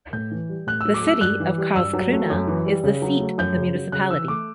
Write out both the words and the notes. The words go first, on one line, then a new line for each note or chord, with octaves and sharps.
The city of Karlskrona is the seat of the municipality.
A2 G6
E3
G3
A2 F#6
E6
F#3
D6
A3 E6
G2 F#6
E3
G3
G2 E6
F#3
A3
F#2
E3
G3
C#3
F#3
A3
F#2 G6
C#3
F#3
C#3 F#6
E3 E6
A3 D6